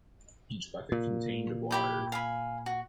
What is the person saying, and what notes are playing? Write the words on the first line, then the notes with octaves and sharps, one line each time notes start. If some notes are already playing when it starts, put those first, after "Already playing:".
Each bucket contained of water.
A#2
E4 G4 B5
F5 G#5 B5
F#4